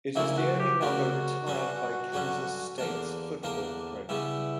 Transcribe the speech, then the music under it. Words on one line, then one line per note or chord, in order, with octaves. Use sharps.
It is the only number retired by Kansas State's football program.
D2 C#3 F#3 A#3 E4
F#4
G4
D2 C#3 F#3 A#3 F#4
G2 D3 F#3 C#4
G2 D3 F#3 C#4
E2 D3 A#3 D4
E2 D3 A#3 D4
C#3 G3 B3 E4